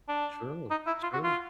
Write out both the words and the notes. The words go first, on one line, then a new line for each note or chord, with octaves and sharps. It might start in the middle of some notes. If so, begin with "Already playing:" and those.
True, true,
D4
D#4
E4
F4
F#4
F4